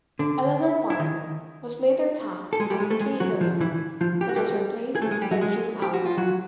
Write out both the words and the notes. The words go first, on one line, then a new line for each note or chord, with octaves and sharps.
Eleanor Parker was later cast as Kay Hilliard but was replaced by June Allyson.
D3 D4
E4
D#3 D#4
A4
G#3 G#4
G3 G4
G#3 G#4
A3 A4
G#3 G#4
F#3 F#4
F3 F4
E3 E4
F3 F4
G4
F#4
G3 G4
G#4
A3 A4
G#3 G#4
G3 G4
F#3 F#4
G#3 G#4
G4
F#4
F4
F#3 F#4